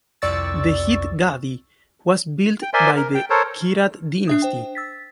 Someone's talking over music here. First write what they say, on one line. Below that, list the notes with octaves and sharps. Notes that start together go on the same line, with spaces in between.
The Jit Gadhi was built by the Kirat dynasty.
C2 F2 D5 C#6 E6 A6
G5
A#4 C5 D5 E5 G#5 C6
A#4
G5
A4 A#4 C5 C#5
D4 E5 D#6
C5 G5
E6 A6 B6